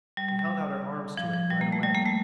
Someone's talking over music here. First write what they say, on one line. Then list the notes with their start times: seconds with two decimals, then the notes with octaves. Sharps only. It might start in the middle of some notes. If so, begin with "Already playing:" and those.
She held out her arms to it right away.
0.17 G3
0.29 G3
0.39 G3
1.17 F3
1.33 F3
1.50 G3
1.61 A#3
1.72 A3
1.83 G3
1.95 A#3
2.06 A3